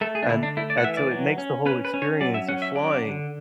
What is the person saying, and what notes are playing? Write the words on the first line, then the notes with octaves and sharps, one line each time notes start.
and and so it makes the whole experience of flying
A3 A4
G#4
D4
D3 E4
D4
A3 E4
D5
F#5
E3 E5
E5
D5
F#3
C#4
C#4 B4
B4
C#4
C#5
F#3 D5
E5
C#4 F#5
E5
F#3 D5
D3